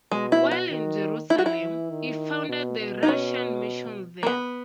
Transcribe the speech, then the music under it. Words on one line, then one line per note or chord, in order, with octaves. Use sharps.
While in Jerusalem, he founded the Russian Mission there.
B2 G#3
E4
F#4
D#3
E4
F#4
E4
E3
D#3
B2
B2
D#4
C#4
A#3
B3